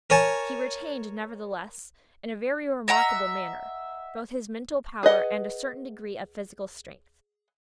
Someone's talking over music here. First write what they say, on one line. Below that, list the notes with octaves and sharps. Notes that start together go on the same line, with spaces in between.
He retained, nevertheless, in a very remarkable manner, both his mental power and a certain degree of physical strength.
A#4 C#5 G#5 A5
D#5 E5 F#5 A#5
G#4 B4 D#5 F#5